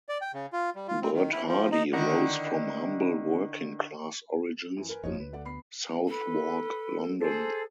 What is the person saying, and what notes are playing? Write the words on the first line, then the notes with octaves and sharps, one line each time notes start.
Bert Hardy rose from humble working class origins in Southwark, London.
D5
G5
C#3
F4
G3
F4
C4
D#3
E4
F3
D#4
D3 D#3 D4 E4 F#5 A#5
F#2 E3
A#4 B4 G#5
G1 F2 F3 D#4 C#5 D#5
D2 B4
A3 D5 F#5
B3 B5 C7
A4 B4
G#4 A4 C5